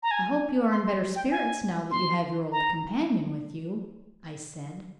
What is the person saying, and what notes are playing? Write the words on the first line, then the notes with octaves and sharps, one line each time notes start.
"I hope you are in better spirits, now that you have your old companion with you," I said.
A#5
G#5
C6
C6
G5
G#5
C6
A#5